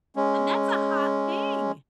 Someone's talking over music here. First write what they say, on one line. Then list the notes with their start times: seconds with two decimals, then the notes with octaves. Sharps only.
and that's a hot thing!
0.16 G#3 C#4